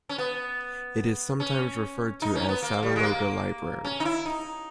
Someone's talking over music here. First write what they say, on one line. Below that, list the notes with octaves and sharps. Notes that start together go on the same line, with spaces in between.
It is sometimes referred to as Salelologa Library.
C#4
B3
C#4
D#4
C#4
B3
A#3
G3
G#3
A#3
C#4
D#4
E4
D#4